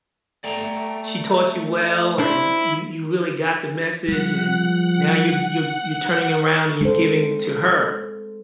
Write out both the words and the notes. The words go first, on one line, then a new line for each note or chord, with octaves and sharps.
she taught you well, and you you really got the message, and now you're you're you're turning around and you're giving to her,
A3 D5 G5 A#5
D4 E4 C5
F3 G3 G#3 F#5 F#6
F#5
G#3 A4 C5